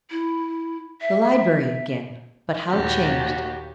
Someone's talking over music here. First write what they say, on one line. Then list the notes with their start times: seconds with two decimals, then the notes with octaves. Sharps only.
The library again! but how changed!
0.11 E4
1.01 E5
2.68 D#2 A#2 F#4 G4